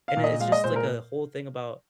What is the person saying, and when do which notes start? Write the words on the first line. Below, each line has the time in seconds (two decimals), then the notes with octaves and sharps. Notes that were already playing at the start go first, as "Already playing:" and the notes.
and it's just, like, a whole thing about
0.08 F5
0.17 A#2
0.24 D#5
0.40 G#3 F5
0.52 D#5
0.64 A#2 C5
0.76 A#4